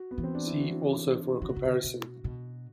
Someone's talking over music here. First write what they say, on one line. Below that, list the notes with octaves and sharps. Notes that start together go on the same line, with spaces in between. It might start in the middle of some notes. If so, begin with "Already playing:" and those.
See also for a comparison.
Already playing: F#4
B3
E3
C4
D4
E4
F#4
E3 F#4
D3
C3
D3
B2
B2